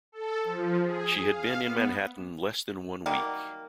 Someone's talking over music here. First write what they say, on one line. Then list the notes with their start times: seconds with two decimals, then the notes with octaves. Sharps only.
She had been in Manhattan less than one week.
0.12 A4
0.44 F3
0.80 G#4
1.28 F5
1.61 B3
3.06 D#3 F#3 G3 A#3